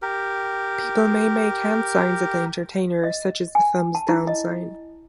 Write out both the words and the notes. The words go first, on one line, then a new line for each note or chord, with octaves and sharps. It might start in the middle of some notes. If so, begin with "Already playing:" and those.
People may make hand signs at the entertainer, such as the thumbs down sign.
G4 A#4
D#5
G#5
A5
E4
D#5